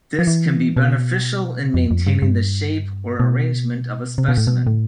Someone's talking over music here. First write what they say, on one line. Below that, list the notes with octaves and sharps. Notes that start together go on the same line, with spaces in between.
This can be beneficial in maintaining the shape or arrangement of a specimen.
F3
E3
B2
F2
F2
G2
G2
B2
C3
B2
A2
B2
A2